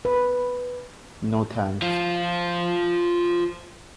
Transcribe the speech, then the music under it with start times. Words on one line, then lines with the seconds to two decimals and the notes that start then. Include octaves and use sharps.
No, thanks.
0.05 B4
1.82 F3 F4